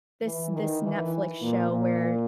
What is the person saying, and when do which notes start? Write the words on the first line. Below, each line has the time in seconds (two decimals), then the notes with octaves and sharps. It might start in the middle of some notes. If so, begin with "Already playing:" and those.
this this Netflix show where
0.23 E3
0.53 D#3
0.82 E3
1.42 A#2
1.71 A#2